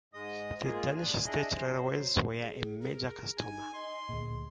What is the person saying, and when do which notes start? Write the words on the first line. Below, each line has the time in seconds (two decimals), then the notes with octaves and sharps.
The Danish State Railways were a major customer.
0.14 G#2 G#3 D#5 D#6
0.63 G#3 A#3 F4 G#4
0.95 D4 G#5
1.25 D4 E4 G#4 D#5
1.56 F#3 C5
2.40 G#4
2.81 G#4 A#4
3.38 D#4 G#5
3.74 D#5 C6
4.09 D2 A#2 G#4